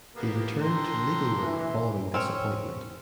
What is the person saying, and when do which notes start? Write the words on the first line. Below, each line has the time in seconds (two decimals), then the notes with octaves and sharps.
He returned to legal work following this appointment.
0.16 A#3 B3 G4
0.62 D3 G5 A#5 C6
1.43 E3
2.14 C4 C#4 C#5